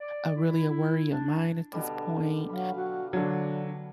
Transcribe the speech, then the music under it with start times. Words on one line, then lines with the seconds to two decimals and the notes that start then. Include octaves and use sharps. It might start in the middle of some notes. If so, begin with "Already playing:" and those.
a really a worry of mine at this point."
0.01 D5
0.37 E4
0.70 E4
1.11 D4
1.73 B2 D3 G3
2.49 F#3 F5 B5
2.75 F#4
3.13 D3 F#3 D4